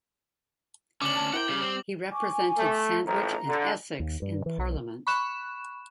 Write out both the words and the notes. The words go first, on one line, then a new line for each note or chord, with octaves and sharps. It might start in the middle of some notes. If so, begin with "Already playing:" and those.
He represented Sandwich and Essex in Parliament.
D2 C#3 C#4 D4 D6 F#7
D2 A5
E4 A#4 C5 F#5 G5
C#3 G3
C4
G#5 C#6 D6
A3
A1 F2 A#5
D3
D#2
G2
E3
B1
B5 C#6 F#6 E7